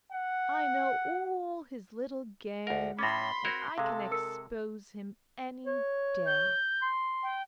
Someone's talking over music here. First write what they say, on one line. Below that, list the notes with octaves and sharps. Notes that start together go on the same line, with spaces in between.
I know all his little games, and I can expose him any day.
F#5
D2 A#4 F#5
A2 C#4 B5 C6 D6 A6 A#6
C4 F#4 A#4 G#6
C3 G#3 A4 F5
A#4 E6 C#7
C#5
G6
C6
G5